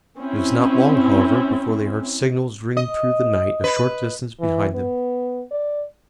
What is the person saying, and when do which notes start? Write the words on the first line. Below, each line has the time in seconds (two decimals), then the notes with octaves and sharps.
It was not long, however, before they heard signals ringing through the night a short distance behind them.
0.17 C4 C#4 E4
2.77 D#5
3.64 B4
4.41 E3
4.74 B3
5.51 D5